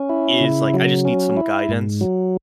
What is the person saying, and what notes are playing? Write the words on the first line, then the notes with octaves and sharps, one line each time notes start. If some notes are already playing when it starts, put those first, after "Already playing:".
is, like, I just need some guidance.
Already playing: C#4
E4
C#3
F#3
C#4
E4
G#2
F#3